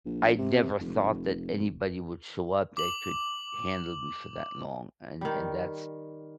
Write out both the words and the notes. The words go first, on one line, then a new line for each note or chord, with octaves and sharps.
I never thought that anybody would show up that could handle me for that long and and that's
A#1
C3
F1
D6 F#7
D#3 G3